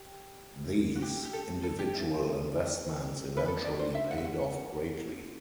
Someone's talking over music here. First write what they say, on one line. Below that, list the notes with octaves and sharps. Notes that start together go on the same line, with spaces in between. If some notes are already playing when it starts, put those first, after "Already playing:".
These individual investments eventually paid off greatly.
Already playing: G4
F#4
G4
G4
A4
A4
G4
E4
B4
A4
D5
C5
E5
F#5
E5
F#5